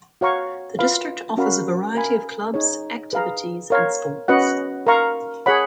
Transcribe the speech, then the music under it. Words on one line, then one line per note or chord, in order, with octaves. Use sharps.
The district offers a variety of clubs, activities and sports.
F#4 C#5 F5 A#5 C#6
F4 B4 F5 B5
C#4 F#4 A#4 F5 B5
A#4 F5 G#5 B5
D#4 G#4 C#5
G#4 B4 F5 A#5
A#4 C#5 F5
C#4 F#4 B4 D#5 F#5
A#4 F5 A#5 C#6
G#4 C#5 F#5 B5